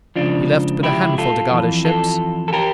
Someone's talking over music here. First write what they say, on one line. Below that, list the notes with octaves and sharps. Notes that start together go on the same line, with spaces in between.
He left but a handful to guard his ships.
C#2 C#3 F3 D4 F4
E4 G4
F4 A4
F2 E3
F4 A4
A4
G4 A#4